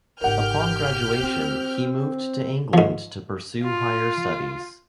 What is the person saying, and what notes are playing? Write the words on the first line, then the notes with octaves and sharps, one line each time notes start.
Upon graduation, he moved to England to pursue higher studies.
G#1 C#3 G4 A#4 F#5 F6 G6
C4 C#4 F4
G#2 F3
F4